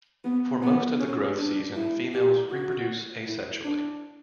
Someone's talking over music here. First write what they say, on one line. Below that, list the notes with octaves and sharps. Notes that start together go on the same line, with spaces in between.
For most of the growth season, females reproduce asexually.
B3
B3
C#4
D4
E4
G4
F#4
E4
D4